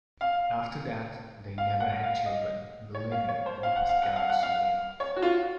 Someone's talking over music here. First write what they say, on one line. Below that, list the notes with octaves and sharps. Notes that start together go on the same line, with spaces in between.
After that, they never had children, believing that it was God's will.
F5
F5
F#5
F5
D#5
C#5
F5
C#5
C5
F5
F#5
F5
F#5
F5
F#5
F5
C#5
F#4
F4